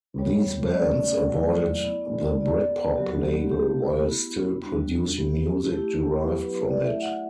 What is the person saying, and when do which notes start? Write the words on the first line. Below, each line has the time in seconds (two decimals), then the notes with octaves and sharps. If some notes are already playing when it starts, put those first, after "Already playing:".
These bands avoided the Britpop label while still producing music derived from it.
0.18 G3 B3 F#4 C#5
0.74 A3 C#4 F#4 D5
1.29 F#3 A3 E4
1.85 B3 E4
2.40 B3 F#4 D5
2.95 F#3 B3 F#4 G4
3.09 F#4
3.23 G4
3.38 G4
3.50 A3 E4 G4
3.79 G4
4.07 B3 E4 F#4
4.62 G3 D4 F#4
5.17 B3 E4 G4
5.72 A3 E4 G4
6.28 F#3 B3 E4 G4
6.42 B4
6.55 B4
6.69 D5
6.83 A3 E4 E5
7.01 F#5